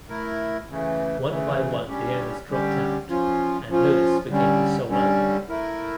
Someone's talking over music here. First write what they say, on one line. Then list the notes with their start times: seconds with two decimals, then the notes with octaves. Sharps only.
One by one the owners dropped out and Louis became the sole owner.
0.09 A3 E4 A#4
0.68 C#3 E3 A3
1.29 C#3 E3 A3
1.88 D3 G3 C#4 G4
2.49 D3 G3 C#4 G4
3.09 F3 C#4 F4
3.69 F3 C#4 F4
4.29 D3 G3 C#4
4.89 D3 G3 C#4
5.49 A3 E4 A#4